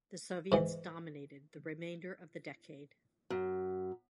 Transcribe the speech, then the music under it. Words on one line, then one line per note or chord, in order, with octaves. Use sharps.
The Soviets dominated the remainder of the decade.
G#2 E3
F#2